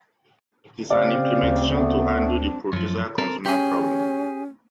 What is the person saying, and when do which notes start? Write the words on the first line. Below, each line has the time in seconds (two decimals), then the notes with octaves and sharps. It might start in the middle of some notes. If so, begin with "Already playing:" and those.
It is an implementation to handle the Producer-consumer problem.
0.90 C#3 C4 G4 C5 D5 F5
1.43 D2
1.73 A3 B3
2.15 C4 D4
2.73 F#2 F3
3.18 C4 A4 A#4
3.46 C#4 G4 G#4